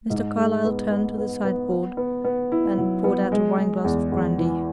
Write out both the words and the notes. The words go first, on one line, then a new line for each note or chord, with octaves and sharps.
Mr. Carlyle turned to the sideboard and poured out a wineglass of brandy.
G#2
G#3
B3
B3
B3
B3
B3
B3
B3
E4
F#3
B3
G#3
G#3
E2
E2
E3